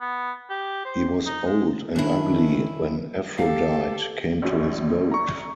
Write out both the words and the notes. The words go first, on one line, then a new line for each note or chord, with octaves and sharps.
He was old and ugly when Aphrodite came to his boat.
B3
G4
C5
D#4
G#3
D#3 C#4 D4 E4
G4 A4 F5
A#1 C#4 F#4
A#5 C#6